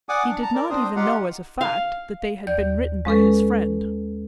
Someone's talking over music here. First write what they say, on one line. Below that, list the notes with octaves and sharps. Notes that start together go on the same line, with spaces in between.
He did not even know, as a fact, that they had been written by his friend.
D5 F#5 G#5 D6 D#6
D4
A5 A#5
A#4 D5
A#2 F3 C4 D4 C5 D#6
D#4 F4 G4 F5 F#5
F5
D#2 D5 G6
G#3 C#4 A4 B4